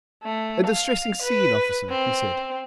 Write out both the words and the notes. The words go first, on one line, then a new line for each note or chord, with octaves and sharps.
'A distressing scene, officer,' he said.
A3
F5
B4
C4